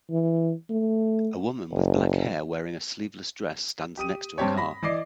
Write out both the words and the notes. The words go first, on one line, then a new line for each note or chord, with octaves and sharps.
A woman with black hair wearing a sleeveless dress stands next to a car.
E3
A3
F#1
G4 D#6 D#7
G2 C4 G4 C#5
B5 A#6
E3 D5 D#5 D6 C7